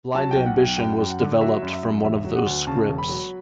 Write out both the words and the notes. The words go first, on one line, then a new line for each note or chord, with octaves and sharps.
"Blind Ambition" was developed from one of those scripts.
F#3 A5
B1 G5
F#5
B1 G5
F#2 G5
F#2
F#5
D3
F#3 E5
F#2
E5
F#2
E1 E5
F#3
F#5
D2
C#3 A5
E1
B5
F#3